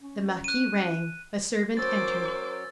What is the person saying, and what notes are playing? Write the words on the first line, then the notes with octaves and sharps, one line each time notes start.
The marquis rang, a servant entered.
C#4
F#6 D#7
F#3 C#4 A#4 C5 C#5 D6 E6 A6